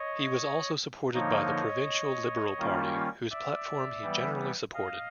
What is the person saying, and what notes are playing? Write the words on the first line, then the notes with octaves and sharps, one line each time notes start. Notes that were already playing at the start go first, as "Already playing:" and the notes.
He was also supported by the provincial Liberal Party, whose platform he generally supported.
Already playing: C#5 D#5
D3 F3 A#3 D#4 C#5 D#5
D#3 G3 A#3 C#4 F4
D5 E5
E3 G3 B3
D#5 F5